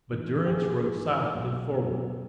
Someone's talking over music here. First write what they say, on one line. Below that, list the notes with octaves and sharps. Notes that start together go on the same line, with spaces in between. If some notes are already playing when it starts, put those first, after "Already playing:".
But Durrance rode silently forward.
G#2 E3
G4
A#1 G#4
G#2 E3
B1
B2 F#3